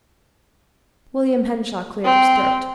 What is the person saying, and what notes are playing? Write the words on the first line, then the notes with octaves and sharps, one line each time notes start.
William Henshaw cleared his throat.
C4